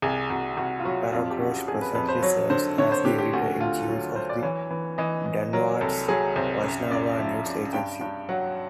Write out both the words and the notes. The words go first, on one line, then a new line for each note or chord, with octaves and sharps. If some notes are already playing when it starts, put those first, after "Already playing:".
Praghosh presently serves as the editor in chief of the Dandavats Vaishnava news agency.
C2 G#4
C2 F#4
C2 F#4
F4
F#3 F#4
F2 F4
G4
C#3 F#4
F2 G#4
B4
F2 B4
C5
F#3 C#5
D3 C5
D3 C#5
C5
D3 G4
G4
D2 F#4
D2 F4
F#3
F#3 C5
D5
E3 C#5
E3
E3 D#5
E3
F#3 A#4
C2 A4
F#3 G#4
C2 C5
F#2
F#2 D5
F3 E5
C#3
G2 G5
G2
F#3 F#5